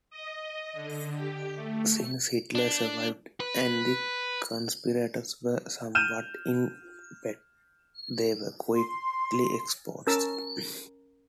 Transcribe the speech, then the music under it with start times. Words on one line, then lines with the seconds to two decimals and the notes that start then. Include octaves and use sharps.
Since Hitler survived and the conspirators were somewhat inept, they were quickly exposed.
0.10 D#5
0.73 D3
1.15 G4
1.55 A3
2.55 D4
3.40 B4
5.95 F6 G6 D#7 E7
8.74 C6
10.07 C#4 A#4 A5 E6